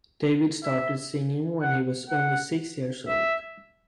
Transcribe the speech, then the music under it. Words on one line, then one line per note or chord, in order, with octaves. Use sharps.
David started singing when he was only six years old.
E5
F#5
F#5
E5